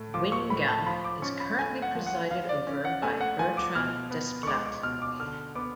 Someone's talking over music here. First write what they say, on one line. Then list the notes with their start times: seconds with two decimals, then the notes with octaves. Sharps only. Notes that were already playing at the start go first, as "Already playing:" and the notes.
Guingamp is currently presided over by Bertrand Desplat.
Already playing: A2 A3
0.14 F3 D6
0.32 C#6
0.50 A2 B5
0.68 A5
0.86 F3 B5
1.04 D6
1.22 C#4 C#6
1.40 B5
1.59 A3 G#5
1.82 F#5
1.95 F3
2.06 F#5
2.31 F3 F5
2.49 D5
2.67 C#4
2.85 F#5
3.03 A3 G#5
3.21 F#5
3.39 F3 G#5
3.57 D6
3.75 B2 F6
4.11 B3
4.43 C#6
4.47 G#3 D6
4.65 D6
4.83 B2 F6
5.02 D6
5.20 D3 F6
5.55 B3 D6